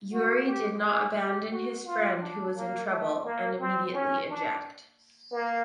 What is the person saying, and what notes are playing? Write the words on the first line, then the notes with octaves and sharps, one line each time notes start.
Yuri did not abandon his friend who was in trouble and immediately eject.
F#4
G4
G#4
G4
F#4
F4
D4
A#3
A3
A#3
C4
C#4
D4
A#3